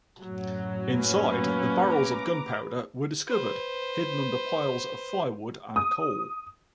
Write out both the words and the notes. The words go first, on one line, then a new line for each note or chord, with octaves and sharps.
Inside, the barrels of gunpowder were discovered hidden under piles of firewood and coal.
F#2 A2 F#3
A#3 C#4 B4
A#5 D6
B4 C5
D#6